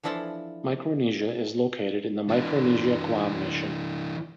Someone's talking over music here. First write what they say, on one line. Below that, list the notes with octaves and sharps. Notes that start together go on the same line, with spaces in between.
Micronesia is located in the Micronesia Guam Mission.
E3 F3 D4 E4 F4 A4
E3 D4